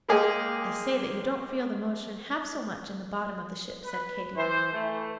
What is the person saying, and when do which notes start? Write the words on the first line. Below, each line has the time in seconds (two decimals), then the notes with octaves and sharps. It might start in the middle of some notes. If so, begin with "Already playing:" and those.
"They say that you don't feel the motion half so much in the bottom of the ship," said Katy.
0.09 G#3 A#3 G4 G#4 D#5
3.84 B4
4.37 E3 C5
4.73 E3 A3